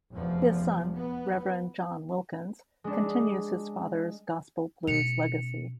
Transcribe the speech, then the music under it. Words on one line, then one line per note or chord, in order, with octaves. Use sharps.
His son, Reverend John Wilkins, continues his father's gospel blues legacy.
F1 E2 F3
B3
G#3 D4
B2 C#4 C#7 F7